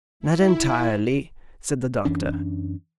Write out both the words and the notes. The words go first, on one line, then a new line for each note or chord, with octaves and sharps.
"Not entirely," said the doctor.
E4
F#2 E3 C#4 D4